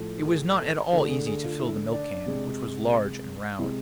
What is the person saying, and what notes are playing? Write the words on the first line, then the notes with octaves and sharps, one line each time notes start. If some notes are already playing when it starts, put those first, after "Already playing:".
It was not at all easy to fill the milk-can, which was large and round.
Already playing: A2 F3 A3
G#4
A4
D3 A3 F4
G#4
G#4
F4
E4
D4
C3 G#3
C3 G#3 E4